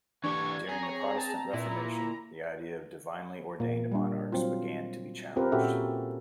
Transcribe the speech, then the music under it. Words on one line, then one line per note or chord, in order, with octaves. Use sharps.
During the Protestant Reformation, the idea of divinely ordained monarchs began to be challenged.
E3 D4 G4 C#6 G#6
C4 G#4 A#5
C#5
A5
A#2 E4
A#2 A#3
G3 D4
F#3 C4 F4
C4 F4 G4 A#4 B4
A#2 C#4 F#4 G4 A4 E5